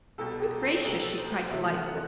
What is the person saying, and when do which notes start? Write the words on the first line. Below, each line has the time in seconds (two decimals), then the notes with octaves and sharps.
"Good gracious!" she cried, delightedly.
0.18 C2 B2 G3 A4
0.40 G4
0.62 A4
0.85 C2 B2 G3 G4
1.01 A4
1.18 C5
1.34 C5
1.51 C3 E3 A3 E5
1.74 F#5